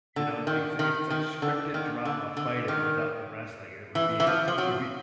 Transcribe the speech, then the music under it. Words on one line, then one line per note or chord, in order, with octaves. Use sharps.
you know, like, it's it's like scripted drama fighting without the wrestling it would be it would be
D3
D#3
D#3
D#3
D3
D#3
D3
D3
D#3
E3
E3
F3
F3
F#3